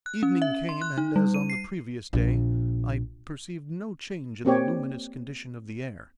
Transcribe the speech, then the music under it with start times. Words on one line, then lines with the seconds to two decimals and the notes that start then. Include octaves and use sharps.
Evening came, and, as on the previous day, I perceived no change in the luminous condition of the air.
0.06 F#6
0.23 C#4
0.42 E5
0.69 C6
0.82 F#6
0.98 D#4
1.16 G3
1.34 D#7
1.50 C7
2.13 A#1
4.45 A#3 C4 G4 C#5